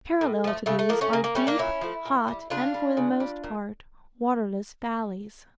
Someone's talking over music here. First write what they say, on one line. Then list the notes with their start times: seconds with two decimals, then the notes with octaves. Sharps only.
Parallel to these are deep, hot and for the most part waterless valleys.
0.21 A2
0.44 F3 A3
0.66 C#3 A3
0.79 A3
0.89 F3 A3 A#3
1.01 A3 C#4
1.13 C#3 A#3
1.24 A#3
1.35 G3 A3 C#4
1.47 A#3 D4
1.58 A#2 C#4 E4
1.81 F3 A3
2.05 A#2
2.28 G3
2.50 C#3 D4 F4
2.74 G3
2.97 C#3
3.20 G3
3.44 A#2